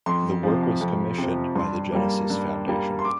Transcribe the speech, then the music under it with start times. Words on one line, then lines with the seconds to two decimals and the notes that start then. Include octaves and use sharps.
The work was commissioned by the Genesis Foundation.
0.06 F2 C6
0.43 C3 F3
0.81 F2
1.18 C3 F3
1.56 G2 C6
1.92 G3 A#3
2.30 G2
2.67 G3 A#3
2.99 C6
3.05 D6